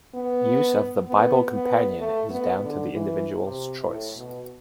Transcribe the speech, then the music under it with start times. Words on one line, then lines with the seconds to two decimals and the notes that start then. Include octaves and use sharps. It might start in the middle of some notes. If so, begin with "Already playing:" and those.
Use of the 'Bible Companion' is down to the individual's choice.
0.14 B3
1.07 B3
1.54 B3
1.99 A3
2.30 B3
2.62 D3
2.93 E3
3.39 C3
3.85 A2
4.17 B2